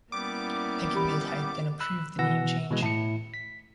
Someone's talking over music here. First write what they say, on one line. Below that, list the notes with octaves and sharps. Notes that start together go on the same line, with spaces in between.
Peggy Wilhide then approved the name change.
G3 A#3 B3 C#4 E4 D6
G4 B5
B5 E6 F#6
B2 E3 F#5 E6 A#6
B2 E3 G#3
A2 E4 C#7
B6